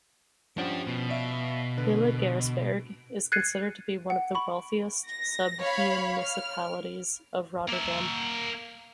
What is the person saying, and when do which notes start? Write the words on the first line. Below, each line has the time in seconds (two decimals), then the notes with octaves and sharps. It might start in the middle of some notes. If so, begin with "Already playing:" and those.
Hillegersberg is considered to be one of the wealthiest sub-municipalities of Rotterdam.
0.58 F3 C#4 D4 G4 F#5
0.87 B2
1.09 D5 E5 F5
1.77 D3 B4
3.32 F#6 G#6 A6 C7 C#7 D#7
4.10 F#5
4.35 B5 C#6
5.08 A#6
5.60 C#5 F5 B5
6.22 F6
7.69 A#3 E5